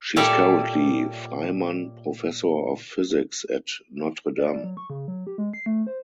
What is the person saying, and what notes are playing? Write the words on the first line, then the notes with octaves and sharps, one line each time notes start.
She is currently Freimann Professor of Physics at Notre Dame.
A#2 G3 A4 C#5 D5 E5
D5
F#3
C#6
C#3
F#3
G4
G#3
C7
A3
C5